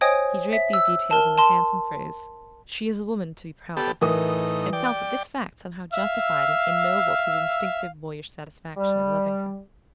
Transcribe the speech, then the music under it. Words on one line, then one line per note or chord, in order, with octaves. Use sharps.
He draped these details in the handsome phrase "She's a woman to be proud of", and felt that this fact somehow justified and ennobled his instinctive boyish satisfaction in loving her.
C5 C#5 D#5 G5 G#5 D#6
E5
E6
A#4 A5
A5 C6
B3 G4 A4
A2 E3 D#4 A#4 D#6
D5 G5
E5 F5 E6
G3